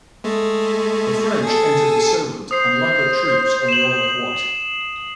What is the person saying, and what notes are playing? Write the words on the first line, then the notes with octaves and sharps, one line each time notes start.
The French entered the Solent and landed troops on the Isle of Wight.
G#3 A3
G#4 A4
C5 D#6 C7
E7 F#7